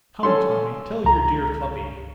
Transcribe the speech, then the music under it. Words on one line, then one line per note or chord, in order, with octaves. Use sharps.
Come, Tommy, tell your dear Cluppy.'
C#4 A4 C6
C#2 A#5